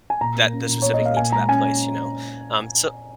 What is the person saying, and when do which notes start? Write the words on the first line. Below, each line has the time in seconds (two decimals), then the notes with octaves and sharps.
that the specific needs of that place, you know? Um, so
0.10 G#5
0.21 A#2 A#5
0.36 A#3
0.53 C#4
0.69 A#2
0.82 A#2 C#5
0.94 D#5
1.00 A#3
1.05 F5
1.17 A#2 G#5
1.32 G#3 A#5
1.48 C#4 G#5